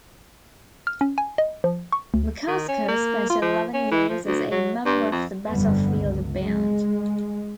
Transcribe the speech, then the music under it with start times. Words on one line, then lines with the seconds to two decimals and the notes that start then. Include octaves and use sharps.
McCusker spent eleven years as a member of the Battlefield Band.
0.87 F6
1.01 C#4
1.18 G#5
1.38 D#5
1.64 F3
1.92 C#6
2.14 D2
2.48 D#3
2.68 C#4
2.88 A#3
3.30 F4
3.42 F3
3.73 C#4
3.91 E3
4.09 F3
4.25 D2
4.51 F#3
4.85 G2
5.11 F2
5.50 G1 F2 D3 G3 B3
5.98 C#2
6.41 G#3